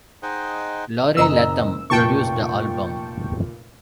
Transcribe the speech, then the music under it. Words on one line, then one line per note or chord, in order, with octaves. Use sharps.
Laurie Latham produced the album.
D#4 G#4 C5 D#5 F#5 G5
F#1 D#5 A#5 E6
F1 A#2 G5 A5 C#6